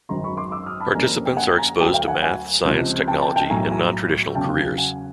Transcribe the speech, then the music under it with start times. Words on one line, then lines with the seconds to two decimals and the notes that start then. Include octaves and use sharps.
Participants are exposed to math, science, technology, and non-traditional careers.
0.09 G#1 F#2 D#3 G#3 A#5 C6
0.24 B5 C#6
0.37 C6 D6
0.52 D6 E6
0.66 D#6 F6
0.80 A5 B5
0.95 F2 D3 G3 A#3 C#4 G#5 A#5
1.25 G5
1.37 F#5 G#5
1.58 G#5 A#5
1.80 D2 D3 F#3 A3 G5 A5
1.94 F5 G5
2.08 F#5 G#5
2.23 F#5 G#5
2.65 C#2 C3 F3
3.08 G5 A5
3.22 G5 A5
3.36 G5 A5
3.50 B1 A2 F#3 G#5 A#5
3.71 G#5 A#5
4.35 E2 C#3 F#3 G5 A5
4.78 F#5 G#5